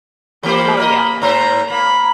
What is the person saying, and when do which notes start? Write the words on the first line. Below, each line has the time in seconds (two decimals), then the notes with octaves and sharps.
Oh, yeah, yeah.
0.43 E3 A#3 G4 C5 B5
0.77 A#4 D5 D#5
1.22 G#2 A#4 C5 A#5
1.70 A#3 B5